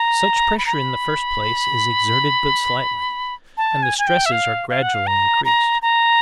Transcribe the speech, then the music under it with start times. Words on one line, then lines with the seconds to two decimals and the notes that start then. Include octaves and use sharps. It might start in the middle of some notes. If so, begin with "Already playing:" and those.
Such pressure in the first place is exerted but slightly, and the stresses are gradually increased.
Already playing: A#5
0.58 B5
0.66 A#5
0.74 B5
3.57 A5
3.83 G#5
3.98 G#5
4.07 G5
4.26 E5
4.32 F5
4.70 F5
4.82 F#5
4.94 F5
5.07 A#5
5.45 A#5
5.82 A#5